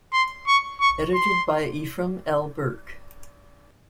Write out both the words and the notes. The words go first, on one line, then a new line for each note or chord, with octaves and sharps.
Edited by Efram L. Burk.
C6
C#6
C#6
C6